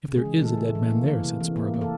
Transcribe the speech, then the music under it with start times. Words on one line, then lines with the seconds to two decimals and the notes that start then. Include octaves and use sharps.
"If there is a dead man there," said Spargo.
0.08 C#3
0.16 G#3 G#4
0.25 E3
0.41 E3 A3 A4
0.57 A3
0.75 E3
0.90 A#3
1.08 E3
1.24 C3
1.41 E3
1.56 A#3
1.74 A#3
1.81 A4